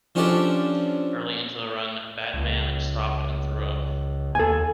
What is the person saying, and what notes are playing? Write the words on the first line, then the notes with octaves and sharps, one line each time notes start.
Early into the run, Badmann stopped and threw up.
F3 C#4 D4 G4 A4 D5
C#2
D#2 A4 G#5